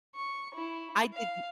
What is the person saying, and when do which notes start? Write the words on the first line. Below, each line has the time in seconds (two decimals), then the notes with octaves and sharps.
I didn't
0.15 C#6
0.54 E4
1.14 F5